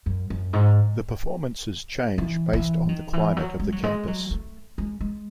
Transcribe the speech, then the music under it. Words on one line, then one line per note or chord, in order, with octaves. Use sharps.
The performances change based on the climate of the campus.
F#2
F#2
G#2
E3
E3
D#3
E3
F#3
G#3
F#3
G#3
F#3
A3
G#3
G#3